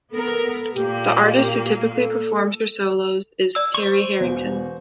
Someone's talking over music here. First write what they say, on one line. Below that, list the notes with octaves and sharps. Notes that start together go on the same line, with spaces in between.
The artist who typically performs her solos is Terry Harrington.
B3 A4 A#4
A#2 A#3 G4
A4
D5 E6
C5 C#6
E1 E2